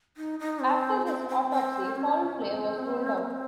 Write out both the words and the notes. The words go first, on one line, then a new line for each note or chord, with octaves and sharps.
After his autopsy, foul play was ruled out.
D#4
D#4
C4
C4
C4
C4
C#4
C4
A#3
C4